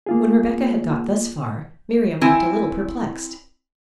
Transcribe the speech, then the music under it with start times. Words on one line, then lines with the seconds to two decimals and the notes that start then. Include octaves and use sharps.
When Rebecca had got thus far, Miriam looked a little perplexed.
0.06 A#3 F4 G#4
2.21 C4 E4 G#5